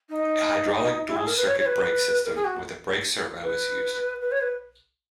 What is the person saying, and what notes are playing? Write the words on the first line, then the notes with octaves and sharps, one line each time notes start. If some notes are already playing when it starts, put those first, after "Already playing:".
A hydraulic dual circuit brake system with a brake servo is used.
D#4
E4
G#4
A#4
B4
C#5
C#5
B4
A#4
G#4
F#4
B4
B4
C#5
B4